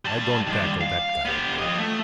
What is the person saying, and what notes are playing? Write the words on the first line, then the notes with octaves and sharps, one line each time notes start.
"I don't tackle that guy again."
G3 A5
D#3 G3
F5
B3 G4
F3 D#5
A3